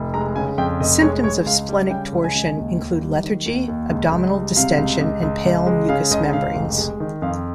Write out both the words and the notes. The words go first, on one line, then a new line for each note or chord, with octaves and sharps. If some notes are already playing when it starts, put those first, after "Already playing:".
Symptoms of splenic torsion include lethargy, abdominal distension and pale mucous membranes.
Already playing: F1
G#3 A#5
C#3 G#5
F2 G5
F1 D#5
G#3 C#5
C#2 C#5
C#2 F5
G3
C#3 G5
C#2
G#5
C#2
D#2
D#2
G3
D#3
D#2
D#2
C#2
C#2
G3
C3 F5
C#2
C#2
C#2
C#2
G#3
C#3 F5
C#2 D#5
C#2 F5
F1
G#3
D#3
F2 F5